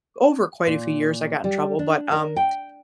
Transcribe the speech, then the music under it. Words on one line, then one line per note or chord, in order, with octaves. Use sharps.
over quite a few years, I got in trouble, but, um
A#2
G3
D4
A#4
G5